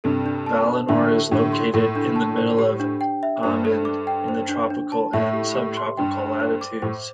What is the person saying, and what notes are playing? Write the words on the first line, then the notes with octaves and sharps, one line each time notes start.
Valinor is located in the middle of Aman, in the tropical and subtropical latitudes.
G2 C3 A4
D4
A5
C5
A2 D3 E5
G4
A2 D3 G4
C6
A2 A4
D4
A5
C5
G4
D4
G5
E5
G2 C5
A4
D6
G5
C5
D4
D4
A5
A2 E5
G4
G4
C6
G2 G5
C5
C5
D6
A2 C5